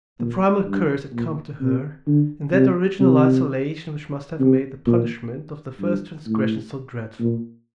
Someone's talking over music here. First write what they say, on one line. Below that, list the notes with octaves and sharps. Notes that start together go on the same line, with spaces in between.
The primal curse had come to her in that original isolation which must have made the punishment of the first transgression so dreadful.
A#2
G2
A#2
C3
D3
C3
C3
C3
A#2
G2
A2
A#2